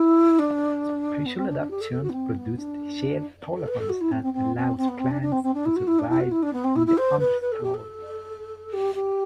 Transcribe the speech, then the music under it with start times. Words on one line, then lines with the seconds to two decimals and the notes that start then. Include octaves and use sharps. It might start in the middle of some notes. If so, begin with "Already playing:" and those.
Special adaptations produce the shade tolerance that allows plants to survive in the understory.
Already playing: E4
0.38 D4
1.25 B3
1.36 C4
1.48 D4
1.59 D4
1.70 G4
1.80 A4
1.91 A4
2.02 F#4
2.09 B3
2.13 C4
2.36 B3
2.57 D4
3.56 A4
3.67 B4
3.78 A4
3.89 F#4
4.00 E4
4.11 C4
4.22 C4
4.33 C4
4.55 C4
4.77 C4
4.88 B3
4.99 C4
5.10 D4
5.21 D4
5.31 C4
5.43 C4
5.53 D4
5.65 E4
5.76 F#4
5.87 E4
5.98 D4
6.09 E4
6.20 F#4
6.31 E4
6.42 D4
6.53 B3
6.63 C4
6.75 E4
6.86 E4
6.97 C5
7.19 B4
7.41 B4
7.51 A4
7.63 G4
7.74 A4
8.73 G4
8.94 G4